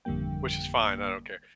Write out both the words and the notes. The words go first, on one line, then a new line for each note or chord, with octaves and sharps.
which is fine, I don't care,
G#1 F2 D3 G3 A#3 G5